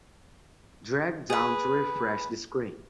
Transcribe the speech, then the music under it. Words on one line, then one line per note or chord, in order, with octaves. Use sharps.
Drag down to refresh the screen.
G#4 B4